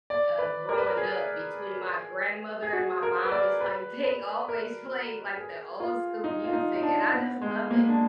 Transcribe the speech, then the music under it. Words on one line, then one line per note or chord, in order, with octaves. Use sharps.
uh, growing up between my grandmother and my mom, it's, like, they always play, like, the old school music, and I just love it.
D5
B4
A#4
B4
A#4
G#4
G#4
F#4
A#4
B4
D5
B4
B4
A#4
G#4
F4
D#4
F4
D#4
D#4
D4
B3
G#3
A#3
D4